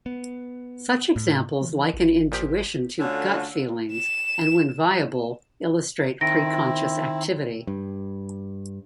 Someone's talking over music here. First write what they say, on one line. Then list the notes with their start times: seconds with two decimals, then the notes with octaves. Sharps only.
Such examples liken intuition to "gut feelings" and when viable illustrate preconscious activity.
0.06 B3
1.16 A2
1.61 E3
1.94 G#1
2.32 A#2 F3 G4
3.00 D3 A3 C#4 D4 F4 F#4
3.92 E7
6.21 D#3 C4 E4 A#6 D7
7.67 G2